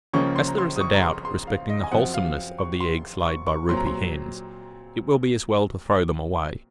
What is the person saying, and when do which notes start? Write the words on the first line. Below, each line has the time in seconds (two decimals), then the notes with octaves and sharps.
As there is a doubt respecting the wholesomeness of the eggs laid by roupy hens, it will be as well to throw them away.
0.13 C#2 C#3 F3 A#3 C#4 C#6
0.36 C6
0.48 A#5
0.58 C6
0.76 D#6
0.81 C#6
0.94 A#5
1.02 C6
1.25 C6
1.47 F5
1.69 D#5
1.84 G#5
1.91 F#2 F3 C4 F#5
2.14 F5
2.59 C#6
2.80 C6
3.25 C#6
3.47 C#6
3.69 A#2 F#3 C4 C6
3.77 A#5
3.86 C6